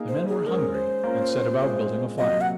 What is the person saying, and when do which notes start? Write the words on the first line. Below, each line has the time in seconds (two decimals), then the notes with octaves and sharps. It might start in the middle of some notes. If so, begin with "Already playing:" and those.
The men were hungry and set about building a fire.
Already playing: A#3 D#4 G#4
0.08 C5
0.28 G#4
0.46 G#3 C#4 G#4 A#4 C5
0.75 C5
1.04 A#3 C#4 F4 A#4
1.61 A#2 G#3 C4
2.18 C3 F#3 A#3 D#5
2.41 F#5